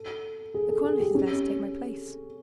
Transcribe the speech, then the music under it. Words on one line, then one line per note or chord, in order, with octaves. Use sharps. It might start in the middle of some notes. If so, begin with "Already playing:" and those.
"The cornet is there to take my place."
Already playing: A4
G#4
A4
G#4
G4
C#4